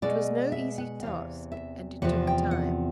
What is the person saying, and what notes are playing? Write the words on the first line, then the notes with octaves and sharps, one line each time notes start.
It was no easy task, and it took time.
B2 G#3 D5
E5
F#5
E2 C3 E3 F5
E5
E2 C3 F3 F#5
G5
F#5